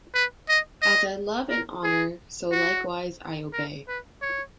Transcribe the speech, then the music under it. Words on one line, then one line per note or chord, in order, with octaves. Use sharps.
As I love and honour, so likewise I obey.
B4
D#5
D#5
A#4
G#4
F#4
A#4
B4
C#5